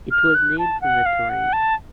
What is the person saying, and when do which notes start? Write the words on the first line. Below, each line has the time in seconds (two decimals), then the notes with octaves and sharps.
It was named from the terrain.
0.11 F6
0.35 F#6
0.58 A5
0.81 F#5
1.06 F5
1.29 F#5
1.53 A5